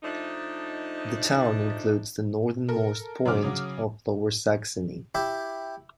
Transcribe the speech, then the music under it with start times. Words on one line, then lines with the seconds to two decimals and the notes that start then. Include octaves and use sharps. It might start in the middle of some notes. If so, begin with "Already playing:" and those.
The town includes the northernmost point of Lower Saxony.
0.03 F3 A3 D4 D#4
2.69 A4 A#4
3.25 F#2 D3 C4 D6 F6
3.42 C#3 F#3
5.15 E4 G4 E5